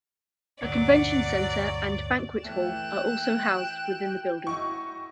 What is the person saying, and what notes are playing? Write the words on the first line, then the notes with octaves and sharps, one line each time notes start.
A convention center and banquet hall are also housed within the building.
D2 G2 A#2 C#5 D5 F#5
E3 A3 G5 F#6 E7
E4 F#4 D#5 C#6